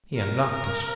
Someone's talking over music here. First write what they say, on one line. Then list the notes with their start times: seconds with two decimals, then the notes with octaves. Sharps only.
He unlocked it.
0.17 A#4
0.52 A#4